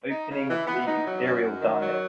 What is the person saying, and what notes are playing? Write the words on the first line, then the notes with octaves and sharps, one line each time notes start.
Opening of the Imperial diet.
D#4
C#3
E3
B3
D#4
F#3
F#2
F#2
D#3
F#3